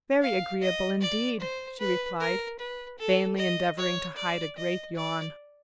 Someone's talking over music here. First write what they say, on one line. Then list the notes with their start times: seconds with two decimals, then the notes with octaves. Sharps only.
"Very agreeable indeed," she replied, vainly endeavouring to hide a great yawn.
0.22 F5
0.62 D#5
1.01 D5
1.40 C5
1.79 B4
2.20 A#4
2.59 B4
2.98 A4
3.37 D#5
3.77 C#5
4.16 D5
4.56 D#5
4.95 D5